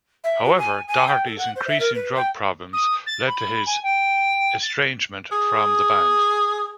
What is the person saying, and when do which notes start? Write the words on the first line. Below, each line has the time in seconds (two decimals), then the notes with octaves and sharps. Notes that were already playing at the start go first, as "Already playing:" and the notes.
However, Doherty's increasing drug problems led to his estrangement from the band.
0.24 E5
0.45 F#4
0.59 G#5
0.88 G#5
1.07 G5
1.26 A4
1.38 F#5
1.56 C5
1.68 E5
1.80 A#4
1.95 B4
2.16 G5
2.73 D#6
3.06 A6
3.27 B5
3.66 G#5
3.83 G5
4.63 A6
5.32 G#4